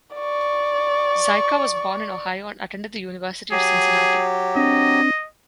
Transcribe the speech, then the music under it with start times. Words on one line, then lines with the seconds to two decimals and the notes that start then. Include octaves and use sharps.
Zika was born in Ohio and attended the University of Cincinnati.
0.15 D5 C#6
3.52 F#3 G4 G#4
4.56 C4 D4 D#5